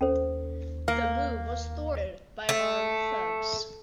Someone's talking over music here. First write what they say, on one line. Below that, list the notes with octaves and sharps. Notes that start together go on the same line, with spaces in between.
The move was thwarted by armed thugs.
D#2 C#4 A4 C5
A#3 F5
A3